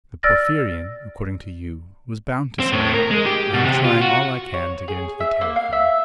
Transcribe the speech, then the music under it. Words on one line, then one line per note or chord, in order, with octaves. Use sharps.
The Porphyrion, according to you, was bound to say, 'I am trying all I can to get into the Tariff Ring.
D5 E6 F6 A6 A#6
C4
A2
A#4
G#3
G4
B2
C3
F4
F#4
C#5
G#4
E5
A#3
F5
E5